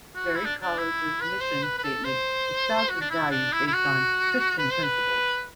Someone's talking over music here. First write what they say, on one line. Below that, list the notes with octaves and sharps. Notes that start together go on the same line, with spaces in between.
Berry College's mission statement espouses values based on Christian principles.
F#4
E4
D4
D4
E4
B4
C5
B4
B4
A4
C5
F#4
D4
E4
D4
E4
E4
F#4
B4
C5
B4